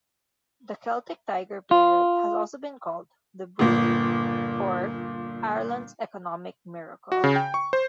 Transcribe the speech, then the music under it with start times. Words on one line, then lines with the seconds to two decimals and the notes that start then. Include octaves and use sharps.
The Celtic Tiger period has also been called "The Boom" or "Ireland's Economic Miracle".
1.71 F4
3.59 G1 A#2
7.12 F#4
7.24 C#3
7.36 G5
7.54 C#6
7.73 C5